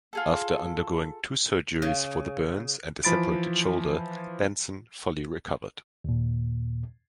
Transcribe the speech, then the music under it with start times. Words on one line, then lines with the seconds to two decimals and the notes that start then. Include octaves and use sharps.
After undergoing two surgeries for the burns and a separated shoulder, Benson fully recovered.
0.13 F4 G#4 A4
1.82 C#3
3.04 E3 F3 B5 A6 D7
6.04 D#2 A#2